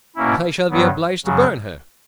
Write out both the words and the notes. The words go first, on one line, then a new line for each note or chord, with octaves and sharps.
"But I shall be obliged to burn her."
B2 A#3 C#4 E4
G2 F#3 B3
F#2 C#3 F#3